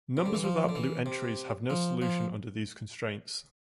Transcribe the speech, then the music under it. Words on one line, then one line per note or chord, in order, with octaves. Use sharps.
Numbers without blue entries have no solution under these constraints.
C3
D3
E3
F3
D3
E3
C3
F3
F3